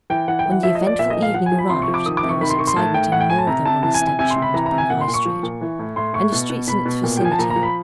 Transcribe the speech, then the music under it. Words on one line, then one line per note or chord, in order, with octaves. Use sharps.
When the eventful evening arrived, there was excitement in more than one establishment upon High Street and the streets in its vicinity.
E3 G5
E3 F#5
G5
E3
F#5
F3 E5
D#5
F3
D5
A#2 E5
D#5
F3
F5
F3 F#5
G#5
F3
B5
C3 C6
C#6
F3
D6
D#3 D#6
D6
C3
C#6
D#3 B5
C6
D#3 C#6
C6
A2 A5
A2 G5
A2 F#5
G5
A2 G#5
A5
C3 A#5
C3 A5
E3 A5
G#5
C3
G#5
C3 G#5
C6
C3
B5
E3 A#5
A#5
C3
G#5
A#2 F#5
C6
A#2
C#6
F3
A#2
E3
A2
A2 C6
A2 C#6
B2
B2
B2 B5
B2
A#2
G5
F3 G#5
A5
A#2 A#5
A#5
F3
B5